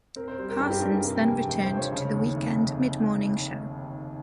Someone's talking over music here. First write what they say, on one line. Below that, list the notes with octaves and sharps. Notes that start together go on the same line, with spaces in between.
Parsons then returned to the weekend mid-morning show.
C4 A#4
C5
G3
A#4
G2 G4
G4
G2 G4
G#4
C3 A#4
G5
F2 G#5
G5
F1 G5
C5
F3
C#5
C#3
D#2
F1